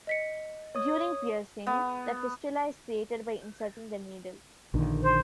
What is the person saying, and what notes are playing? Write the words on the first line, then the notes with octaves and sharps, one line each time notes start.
During piercing, the fistula is created by inserting the needle.
D#5 B6 C#7
C#5 D#6
B3
A#1 D3 D#3
C5